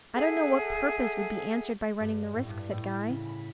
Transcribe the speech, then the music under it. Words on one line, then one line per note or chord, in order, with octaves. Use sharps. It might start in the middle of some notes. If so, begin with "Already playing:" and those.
'I don't know what purpose would be answered by running the risk,' said Guy.
G#4 A4 E5 F#5
G2
A2
G2
A2
B5
C#3
B5